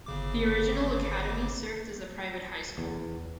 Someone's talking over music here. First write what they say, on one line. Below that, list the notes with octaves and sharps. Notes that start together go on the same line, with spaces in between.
The original academy served as a private high school.
G1 C#3 D6
E2